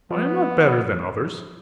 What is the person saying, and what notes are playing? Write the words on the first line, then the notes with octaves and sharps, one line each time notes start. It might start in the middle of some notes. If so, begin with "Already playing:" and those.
I am not better than others.
F3 B3